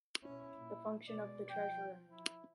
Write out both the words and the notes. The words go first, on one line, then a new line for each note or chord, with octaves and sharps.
The function of the treasurer.
B2 C#4 E4
A#2
B2 G#3 D5
F3 G5
E4